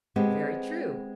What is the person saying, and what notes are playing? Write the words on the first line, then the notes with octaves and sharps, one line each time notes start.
Very true.
G#3 B3 C4 G4